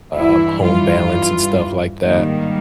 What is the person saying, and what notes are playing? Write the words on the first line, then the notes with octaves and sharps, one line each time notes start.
um, home balance, and stuff like that.
G2 E3 G3 E4
F4
G#2 D#3 G3 A#3